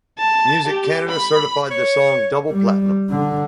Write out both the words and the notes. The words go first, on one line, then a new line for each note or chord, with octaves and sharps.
Music Canada certified the song Double Platinum.
A5
G4
B5
C#5
G3
D3